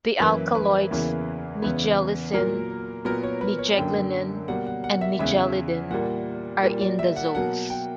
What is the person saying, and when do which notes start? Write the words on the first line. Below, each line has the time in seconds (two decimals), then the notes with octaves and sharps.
The alkaloids nigellicine, nigeglanine, and nigellidine are indazoles.
0.20 F#2 E3 A#3 B4
0.55 B4
0.91 E2 C#3 E3 A#3
1.62 E2 C#3 E3 B3
2.33 A#2 F#3 A#3 A#4
3.05 A#2 F#3 B3 A#4
3.23 C#5
3.41 B4
3.59 C#5
3.77 F#2 D3 A#3 G5
4.48 B2 G3 A#3 F#5
4.67 F#5
4.84 F#5
5.01 E5
5.19 E2 C#3 E3 E5
5.91 A#2 G3 A#3 F#5
6.62 A#2 G3 A#3
6.81 D5
6.99 E5
7.16 F#5
7.35 B2 F#3 A#3 F#5
7.70 G5